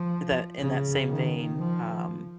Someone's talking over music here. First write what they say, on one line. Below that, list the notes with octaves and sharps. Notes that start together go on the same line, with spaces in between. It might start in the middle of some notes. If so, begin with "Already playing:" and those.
the in that same vein, um,
Already playing: F3
C#3
D#3
F3